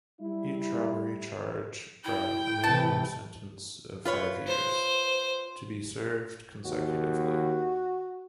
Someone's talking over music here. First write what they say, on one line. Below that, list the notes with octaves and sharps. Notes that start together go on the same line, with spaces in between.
Each robbery charge brought a minimum sentence of five years, to be served consecutively.
G3 E4
E4 G5
C3 E3 A5
F4 B4 C#5
C5
D#2 F#4